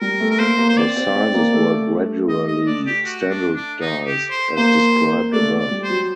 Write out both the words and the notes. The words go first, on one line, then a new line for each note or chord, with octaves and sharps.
The sizes were gradually standardized as described above.
G3 A#4
A3
A#4
A#3 C5
A#3
C5
C4 D5
C4
C4
A#3
A3
D#5
D#5
D5
G4
F#4
D4
D4
D#4
G4
C5
A#3 C5
A3 D5
D5
G3
C5
F#3